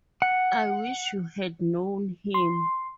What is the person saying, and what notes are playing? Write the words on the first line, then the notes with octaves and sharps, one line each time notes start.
I wish you had known him.
F#5
C6